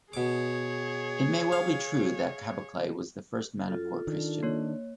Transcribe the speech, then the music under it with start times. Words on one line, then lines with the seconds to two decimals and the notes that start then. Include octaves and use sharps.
It may well be true that Kaboklei was the first Manipur Christian.
0.13 B2 G#4 C#5 D6
1.52 F5
3.68 F#2 F4 A4
4.07 D#3 D4
4.43 A#3 C#5